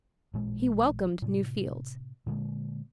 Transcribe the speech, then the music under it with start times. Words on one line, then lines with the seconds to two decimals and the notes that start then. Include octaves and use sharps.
He welcomed new fields.
0.34 A1 A#2 G#3
1.22 A2 C3
2.26 A#2 D3 G#3 A#3